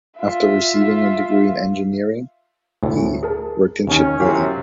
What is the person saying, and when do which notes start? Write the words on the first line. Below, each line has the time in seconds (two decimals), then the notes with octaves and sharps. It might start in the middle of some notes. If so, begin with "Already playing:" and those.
After receiving a degree in engineering, he worked in shipbuilding.
0.18 F4 E5
2.83 D2 A2 A3
3.23 G#4 A#4 A5
3.87 D#2 D#3 C#4
4.20 F#2 C3 E4 G4 F5